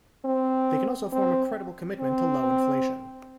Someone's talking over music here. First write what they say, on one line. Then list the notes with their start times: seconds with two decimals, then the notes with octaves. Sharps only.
They can also form a credible commitment to low inflation.
0.25 C4
1.13 C4
2.00 C4